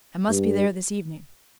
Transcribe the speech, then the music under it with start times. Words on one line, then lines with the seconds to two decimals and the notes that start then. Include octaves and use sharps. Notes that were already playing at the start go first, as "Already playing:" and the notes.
"I must be there this evening."
0.29 G2